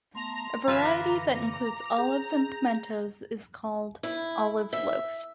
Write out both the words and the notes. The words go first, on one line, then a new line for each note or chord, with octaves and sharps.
A variety that includes olives and pimentos is called olive loaf.
A3 B3 A5 A#5 C6
F#2 D3 E3 F4 B4 E5 D6
G#4 G6
E4
E5